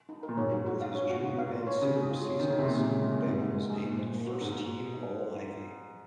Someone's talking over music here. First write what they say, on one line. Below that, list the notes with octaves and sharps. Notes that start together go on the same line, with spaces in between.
In both his junior and senior seasons, Behncke was named first team All-Ivy.
D#4
A#4
A#2
G#2 C#5
F#4
F#4
F5
C#5
F#4
G#2 F#4
F5
F4
C#5
C#3 C#4
G#4
F4
C#5
D#3 C#4
C#3
C3 G#4
A#2 D#4
G#3
C#3
C3 G#3
A#2 G#4
G#2 D#4
G#3
G#3
G#4
A#2 D#4
C5
A#3
F#4
G#2 D#4